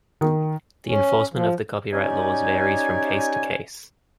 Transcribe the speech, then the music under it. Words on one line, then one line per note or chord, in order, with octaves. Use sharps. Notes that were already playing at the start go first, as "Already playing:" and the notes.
The enforcement of the copyright laws varies from case to case.
D#3
C#4
F3
C#4 D#4 G4 D5 G#5